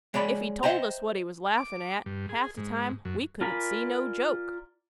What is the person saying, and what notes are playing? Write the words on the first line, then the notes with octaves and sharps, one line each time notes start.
If he told us what he was laughin' at, half the time we couldn't see no joke.
G#3 C#5 D5 B5
C5 D#5 E5 G5 A#5
D6
G2
G#4
G#2
F#2
F4 A#4 D5 G#5 B5